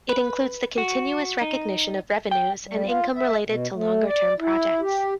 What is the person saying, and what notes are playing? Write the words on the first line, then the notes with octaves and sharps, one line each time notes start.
It includes the continuous recognition of revenues and income related to longer-term projects.
B4
F#4
D#4
G5
G3
F4
E5
B2
A3
D5
E4
G4